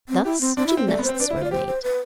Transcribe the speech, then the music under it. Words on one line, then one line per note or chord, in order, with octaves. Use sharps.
Thus gymnasts were made.
C4
E4 G4
C4
C4 D4
E4
C4
A3 D5
B3
C5
C4
C5
D4 B4
D5
E4
C5
F4
D5
G4 C5
C5
B4